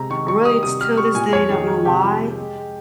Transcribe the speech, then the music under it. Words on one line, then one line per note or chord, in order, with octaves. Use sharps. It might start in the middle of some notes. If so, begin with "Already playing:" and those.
Really, it's till this day, I don't know why,
Already playing: C3 G#3 A#5
D#3 C#6
G3 C#6
G3 D#6
C3 D#6
G3 F6
G3 C#6
A#2 G#5
F2 C#5
D#3 G#4
G#3
C3 G4
F3
G#3
G#3
G#3